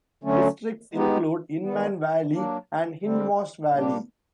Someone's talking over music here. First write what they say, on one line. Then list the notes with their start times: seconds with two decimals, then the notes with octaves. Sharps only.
Districts include Inman Valley and Hindmarsh Valley.
0.24 D3 F#3 A3 C#4
0.94 G#3 B3 D#4 G4
1.63 D#3 G3 B3
2.33 F#3 A#3 D4
3.03 D3 G3 C4
3.73 A#2 G3 A#3 D4 G4